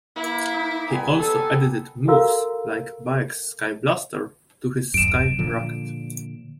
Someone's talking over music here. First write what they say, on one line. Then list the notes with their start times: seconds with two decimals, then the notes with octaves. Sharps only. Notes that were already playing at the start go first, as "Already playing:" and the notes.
He also edited moves like Baek's Sky Blaster to his Sky Rocket.
0.16 A#3 E4
0.54 D#4
0.89 D#3 G3 B3 G#5
1.19 A4
2.08 F#4 A4 A#4 F5 A#5 E6
4.94 D1 F#2 D7 E7
5.39 A#2 D3 F3